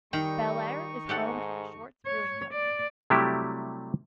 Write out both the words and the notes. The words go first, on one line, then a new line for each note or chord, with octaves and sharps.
Bellaire is home to the Short's Brewing Company.
D#3 G3 D#4 G5 C#6
G#2 G4 A4 F#5
C#5
D5
C3 F#3 G3 A3 E4 G4